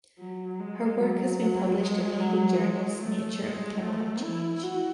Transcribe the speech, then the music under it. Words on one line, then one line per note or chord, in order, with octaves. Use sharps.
Her work has been published in leading journals Nature and Climatic Change.
F#3
G#3
F#3
F#3
G#3
F#3
G#3
A3
G#3
A3
E4
F#4